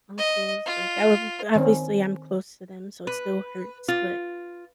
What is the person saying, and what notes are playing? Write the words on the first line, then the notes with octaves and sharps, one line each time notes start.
uncles, like, I wa obviously, I'm close to them, so it still hurts, but,
D#5
F4
D#3 C4 C#4 D#4
B4
F4